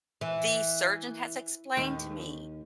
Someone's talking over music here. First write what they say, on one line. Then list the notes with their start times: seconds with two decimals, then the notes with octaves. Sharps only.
"The surgeon has explained to me
0.21 E3
1.77 D#2